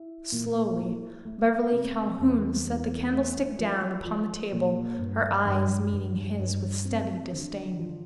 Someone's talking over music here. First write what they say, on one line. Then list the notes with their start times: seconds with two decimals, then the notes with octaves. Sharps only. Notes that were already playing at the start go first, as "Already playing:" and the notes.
Slowly Beverly Calhoun set the candlestick down upon the table her eyes meeting his with steady disdain.
Already playing: E4
0.32 A#2
0.79 E4
1.25 A3
1.72 C3
2.19 E2
2.65 E2
3.12 A3
3.59 F3
4.05 F3
4.52 A#2
4.99 G2
5.45 G2
5.93 G2
6.39 G2
6.85 C4
7.32 D3
7.79 F3